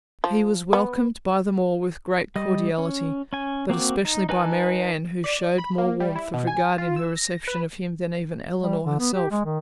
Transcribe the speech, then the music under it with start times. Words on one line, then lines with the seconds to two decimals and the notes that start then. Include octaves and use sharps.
He was welcomed by them all with great cordiality, but especially by Marianne, who showed more warmth of regard in her reception of him than even Elinor herself.
0.24 F3
0.73 B3
2.36 G3 D#5
2.78 C#4
3.33 C#4 G#5
3.70 A#3 C4 F#4 D6
4.05 D#4
4.29 D#4 B4 G#5 A5
5.24 D5
5.58 B5
5.78 A#3
6.00 G3
6.16 E4
6.34 B2
6.47 G#5
6.78 F4
6.96 E6
7.16 A#6
7.48 B4
8.61 G3
8.86 D3
8.99 B3
9.14 G4
9.31 G#3
9.45 D#3